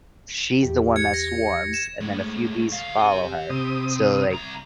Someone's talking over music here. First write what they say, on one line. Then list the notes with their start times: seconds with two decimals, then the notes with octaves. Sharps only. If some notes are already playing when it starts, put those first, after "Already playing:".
she's the one that swarms and then a few bees follow her. So like
0.63 E2 G4
0.96 G#6 C#7
1.14 A#6
1.74 E7
2.01 A2 G#3
2.72 D3 F5
2.96 G4 C6
3.50 C3 D#6
4.31 C2 A#5